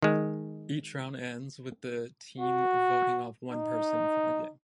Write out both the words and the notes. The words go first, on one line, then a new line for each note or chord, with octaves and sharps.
Each round ends with the team voting off one person from the game.
D#3 G#3
F#4
D#4